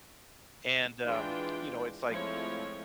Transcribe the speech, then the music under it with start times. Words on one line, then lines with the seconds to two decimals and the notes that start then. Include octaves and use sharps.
And, um, you know, it's, like,
1.04 E3 G#3 D4 F4 G5
2.08 F3 G#3 A3 C4 E4 C#5